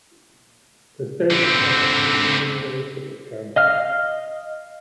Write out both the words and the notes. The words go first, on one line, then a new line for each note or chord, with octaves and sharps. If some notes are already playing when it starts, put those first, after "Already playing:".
The station has a Green Window ticket counter.
D3 C4
D#5 F5 F6